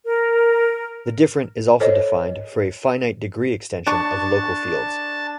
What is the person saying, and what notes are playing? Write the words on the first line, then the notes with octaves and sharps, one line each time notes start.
The different is also defined for an finite degree extension of local fields.
A#4
A4 C5 C#5 D#5
D4 A5 C#6